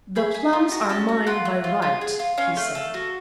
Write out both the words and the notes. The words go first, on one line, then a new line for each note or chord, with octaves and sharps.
"The plums are mine by right," he said.
G#4 B5
G#4
F4
F#4 A#5
C#4 A5
F#4
F4 F#5
A3
F4
F4
G#4
F4
C#4 F5
A3
A4
F#4